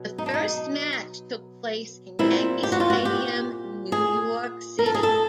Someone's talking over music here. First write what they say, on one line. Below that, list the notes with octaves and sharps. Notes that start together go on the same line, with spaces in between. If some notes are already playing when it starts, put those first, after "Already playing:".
The first match took place in Yankee Stadium, New York City.
Already playing: B2 F#3
D#4
D4
D#4
A#2 G3 C4 E4
G4
F#4
F4
F#4
G4
G#4
A#4
A4
G#4
A4